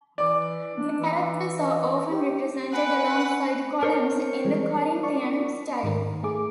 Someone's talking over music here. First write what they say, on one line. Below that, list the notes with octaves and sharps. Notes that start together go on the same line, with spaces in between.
The characters are often represented alongside columns in the Corinthian style.
E3 D5 D6
D4
E3
D#5
G4
B4 F#5 G#5
A#4 C5 C#5
E3 G3 G#3
D5 C#6
G#2 D#3 A#4
A3 G#4 D6